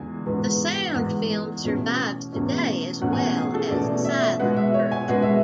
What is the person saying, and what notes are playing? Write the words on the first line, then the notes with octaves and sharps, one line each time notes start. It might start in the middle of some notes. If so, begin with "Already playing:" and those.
The sound film survives today as well as the silent version.
Already playing: E2 D3 G#3 G#5
E2 D3 G#3 B3
E2 D3 G#3 B3 F#5
E2 B2 A3 C#4
E2 B2 A3 C#4
E2 B2 A3 C#4 F#5
G#5
F#5
G#4
A4
E2 B2 A3 C#4 D5
E5
B2 G#3 B3 F#5
E5
C#5
G#5
B2 G#3 B3 F#5
E5